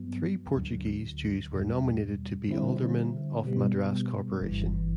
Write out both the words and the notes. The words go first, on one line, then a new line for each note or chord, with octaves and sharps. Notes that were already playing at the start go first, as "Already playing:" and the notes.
Three Portuguese Jews were nominated to be aldermen of Madras Corporation.
Already playing: G2 F#3 B3
D2 D3 F#3
E2 B2 G3
D3 G3 C4 E4
B2 G3 B3
G1 G2 E3